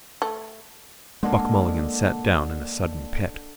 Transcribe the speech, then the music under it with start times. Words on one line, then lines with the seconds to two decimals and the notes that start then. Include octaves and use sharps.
Buck Mulligan sat down in a sudden pet.
0.22 A3
1.23 D3 G#3 A#3 D#5